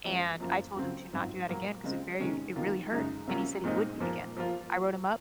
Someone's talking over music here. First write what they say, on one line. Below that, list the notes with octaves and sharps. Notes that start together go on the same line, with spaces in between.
and I told him to not do that again 'cause it very it really hurt, and he said he would do it again. I wrote him up,
F#2 F3 G#3
F#2 F3 A#3 F4
C#3 F#3 C4 F4
G#2 F#3 C4 F4
A#2 F#3 A#3
C#3 G#3 C4 F4
C3 D#3 G#3 C#4
C3 D#3 A#3 F4
F#2 C#3 G#3 D#4
C3 F#3 A#3 C#4 F4
A#2 G#3 C4 D#4
A#2 F3 A#3 F4
F3 A#3 F4